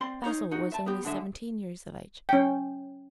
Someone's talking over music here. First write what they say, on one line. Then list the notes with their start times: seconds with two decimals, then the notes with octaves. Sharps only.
Bazil was only seventeen years of age.
0.01 C4 D5 C6
0.24 D#4 C5 C#5
0.51 D#4 F#4
0.72 E5 A5
0.86 B3 G4
1.04 B1 D3 G#3 E5
2.29 C#4 G5